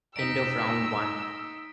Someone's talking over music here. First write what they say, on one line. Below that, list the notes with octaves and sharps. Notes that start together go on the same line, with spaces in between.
End of round one.
D#4 E6 B6 D7